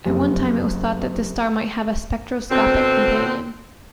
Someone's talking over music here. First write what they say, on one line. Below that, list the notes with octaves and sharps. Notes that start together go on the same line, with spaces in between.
At one time it was thought that this star might have a spectroscopic companion.
F#1 C2 F2
B2 D3 C4